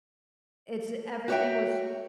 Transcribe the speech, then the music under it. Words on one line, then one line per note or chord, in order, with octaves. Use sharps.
it's, eh everything was
F#4 G4 C#5 D5 E5 G5